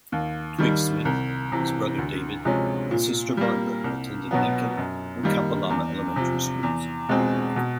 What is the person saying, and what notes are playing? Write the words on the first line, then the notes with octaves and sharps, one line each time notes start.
Twigg-Smith, his brother David, and sister Barbara attended Lincoln and Kapalama elementary schools.
D#2
D#3 G3
C2
C3 E3
D2
C3 F3 G#3 C#4
A#2
G3 A#3
C2
B2 F#3 B3
F#2
D#3 G3 A#3
E2
C3 F3
E2
B2 G#3 C4
B2